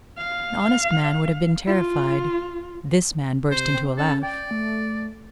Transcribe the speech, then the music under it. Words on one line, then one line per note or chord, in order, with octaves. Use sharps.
An honest man would have been terrified; this man burst into a laugh.
F5
F4
C3 C5
C4
C#4 A4
D5 G5
A3